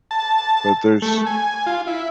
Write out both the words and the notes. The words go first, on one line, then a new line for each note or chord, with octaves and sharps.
But there's
A5
A3
G#5
F4
E4